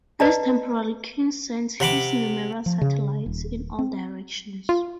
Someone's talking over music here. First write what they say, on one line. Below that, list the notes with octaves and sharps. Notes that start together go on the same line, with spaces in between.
This temporary king sends his numerous satellites in all directions.
B4 D5 D#5 A5 A#5
C3 F#5 B5 D6
F3
C#3
D#1
C4
F4